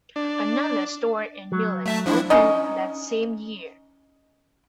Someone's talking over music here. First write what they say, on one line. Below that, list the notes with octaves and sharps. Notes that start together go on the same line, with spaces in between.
Another store in Milan opened that same year.
D4
F#3
A3 E5 A5
F3 D4 E4
C#4 D#4 D#5